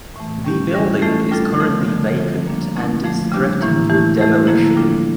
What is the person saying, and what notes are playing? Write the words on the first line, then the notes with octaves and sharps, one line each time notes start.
The building is currently vacant and is threatened with demolition.
A2 E3 A3
G3 C#4 G4
E3 G3 C#4 E4
E3 A3 C#4 F4 A4
G3 D4 F4 A4
C#3 F3 A3
D3 F3 A3
F3 C#4 F4 A4
G3 A#3 D4
D3 A3 C#4 E4
A#2 F3 A3
C#3 G3 D4 G4
A2 E3 A#3 E4
E3 A3 E4 G4
E3 A3 E4 A4
D3 F3 A#3 E4
G3 D4 F4 A4